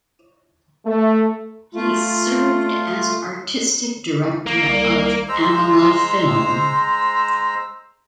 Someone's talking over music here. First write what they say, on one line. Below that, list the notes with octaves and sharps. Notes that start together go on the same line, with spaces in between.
He served as artistic director of Avala Film.
A3
A3 F4
A#3
C2
G#3 C5 A#5 E6